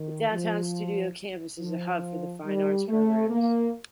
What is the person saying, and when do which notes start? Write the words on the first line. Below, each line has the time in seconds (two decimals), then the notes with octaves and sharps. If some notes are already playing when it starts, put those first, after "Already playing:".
The Downtown Studio Campus is a hub for the fine arts programs.
Already playing: D#3
0.31 F3
1.60 F3
2.45 G3
2.88 A3
3.30 A#3